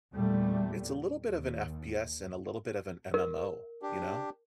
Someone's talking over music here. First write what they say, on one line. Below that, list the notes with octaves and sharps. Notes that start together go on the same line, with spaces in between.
It's a little bit of an FPS and a little bit of an MMO, you know?
E2 A#2 G3 A3
D#2
A#4
D4 G4